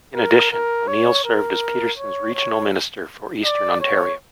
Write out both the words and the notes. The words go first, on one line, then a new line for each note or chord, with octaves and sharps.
In addition, O'Neil served as Peterson's regional minister for eastern Ontario.
A#4
A#4
C#5
A#4
C#5
C#5
D5
C#5